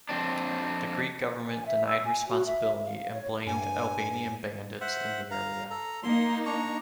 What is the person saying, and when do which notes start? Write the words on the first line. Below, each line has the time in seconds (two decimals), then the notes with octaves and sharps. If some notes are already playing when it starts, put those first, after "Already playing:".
The Greek government denied responsibility and blamed Albanian bandits in the area.
0.09 F2 C4 D4
1.46 G#5
1.65 E5
1.86 E6
2.03 G#5
2.29 F#4
2.46 E5
2.85 F5
3.12 C#5
3.47 G2 G#5
4.81 C5 E5 F#5
5.31 F5 A#5
5.70 A4 A#5
6.03 A#3 D#4 C6
6.46 D4 A#5 C#6